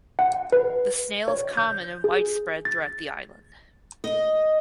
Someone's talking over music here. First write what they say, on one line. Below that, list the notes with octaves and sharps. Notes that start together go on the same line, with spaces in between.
The snail is common and widespread throughout the island.
F#5
B4
C#5
G6
G#4
A6
D#5